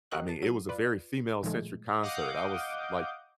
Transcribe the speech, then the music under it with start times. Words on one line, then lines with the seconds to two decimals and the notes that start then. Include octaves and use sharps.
I mean, it was a very female-centric concert, I was like
0.12 F#4 G4 A#4 D#5 C#6 F#6
0.29 A5
0.42 F#3 D#7
0.69 F4 B4 D5
1.43 A#2 D#3 F3 G#3 A3
2.02 D#5 F5 F#5 D6 D#6 G6